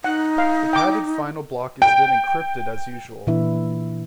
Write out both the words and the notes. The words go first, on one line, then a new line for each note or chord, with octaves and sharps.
The padded final block is then encrypted as usual.
D#4 F#5
F5
G5 D6
G5
A#2 E3 D4 E4 B4 E5